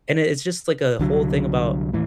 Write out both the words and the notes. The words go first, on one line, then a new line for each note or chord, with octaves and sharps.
and it's just, like, a whole thing about
C2 D3 F#3
D#2 A2 E3